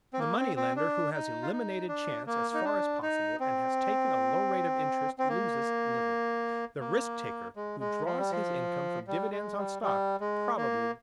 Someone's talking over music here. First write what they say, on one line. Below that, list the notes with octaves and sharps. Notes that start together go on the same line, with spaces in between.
The money-lender who has eliminated chance as far as possible and has taken a low rate of interest loses little; the risk-taker who draws his income from dividends on stock probably loses much.
C4
A#3
C4
C4
D4
D#4
F4
D#4
D4
A#3
D#4
D4
D#4
C4
C4
A#3
A#3
G#3
G#3
F3
G3
F3
G3
G#3
G3
G3
G#3
A#3